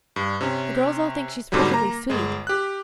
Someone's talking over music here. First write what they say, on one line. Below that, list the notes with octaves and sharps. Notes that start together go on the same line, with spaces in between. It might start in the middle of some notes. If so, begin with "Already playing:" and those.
The girls all think she is perfectly sweet.
G2
C3 C#4
G#2 B2 D3 F#3 G3
A#3 A#5
G1 G#3
G4 F#6